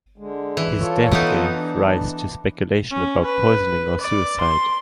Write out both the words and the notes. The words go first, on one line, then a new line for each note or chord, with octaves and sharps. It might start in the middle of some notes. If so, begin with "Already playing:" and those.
His death gave rise to speculation about poisoning or suicide.
D3 G#3
E3
F4 A4 C#5
E3 B3 D#4
D4
C#4
B4
D5
C6